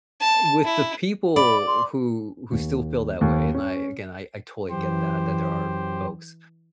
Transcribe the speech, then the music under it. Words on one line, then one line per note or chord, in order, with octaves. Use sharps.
I with the people who who still feel that way and I, again, I totally get that that there are folks.
A5
E4
D5 B5
C6
D#2
D#2
C#4
F#2 E3 G4 C5